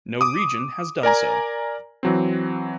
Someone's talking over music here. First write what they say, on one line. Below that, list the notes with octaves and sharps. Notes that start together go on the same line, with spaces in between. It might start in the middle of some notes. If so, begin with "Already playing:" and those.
No region has done so.
D6 D#6
A#4 D5 G#5 A#5
E3 F#3 C4